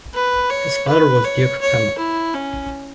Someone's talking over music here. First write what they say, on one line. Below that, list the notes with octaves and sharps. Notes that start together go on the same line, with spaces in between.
His father was Duke Pemmo.
B4
C#5
B4
C#5
C#5
E4
C#4